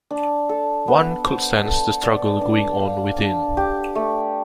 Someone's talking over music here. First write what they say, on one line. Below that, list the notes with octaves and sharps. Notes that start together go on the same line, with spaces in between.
One could sense the struggle going on within.
D4
A4
B3
C5
A4
D5
D4
F5
D4
G4
A3